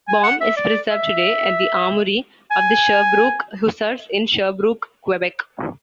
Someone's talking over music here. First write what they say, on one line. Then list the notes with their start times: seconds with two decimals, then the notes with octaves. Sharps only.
"Bomb" is preserved today at the Armoury of the Sherbrooke Hussars in Sherbrooke, Quebec.
0.08 G#5
0.24 F#5
0.41 E5
0.57 D5
0.90 E5
2.51 G#5